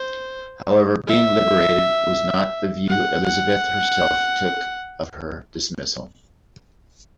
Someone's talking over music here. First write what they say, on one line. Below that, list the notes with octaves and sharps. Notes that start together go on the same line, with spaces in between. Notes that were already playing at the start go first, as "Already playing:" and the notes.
However, being 'liberated' was not the view Elizabeth herself took of her dismissal.
Already playing: C5
E5
F#5
F#5